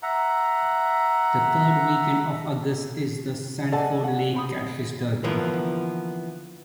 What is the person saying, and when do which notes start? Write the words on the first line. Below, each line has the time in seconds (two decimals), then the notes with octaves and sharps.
The third weekend of August, is the Sanford Lake Catfish Derby.
0.03 E5 F#5 A#5
3.72 A4 D5 D#5 F#5 G#5 A5
4.04 F#5
4.34 C4 B5 D#6
5.24 D3 E3 F3 A#3 B3